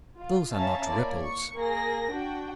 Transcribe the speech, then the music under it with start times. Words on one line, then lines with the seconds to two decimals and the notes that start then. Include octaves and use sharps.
Those are not ripples.
0.18 F4
0.54 C#4 C#5 E5 F5 A5 A#5
0.89 A#3 E4 C#5 D5
1.23 C#6 C#7
1.55 A#3 G#4 A#6
2.11 D4 F#4 G5